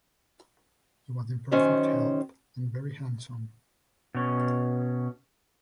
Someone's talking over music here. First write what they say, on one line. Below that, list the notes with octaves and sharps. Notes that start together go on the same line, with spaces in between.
He was in perfect health and very handsome.
F#2 D#3 C#4 C5
B2 C#4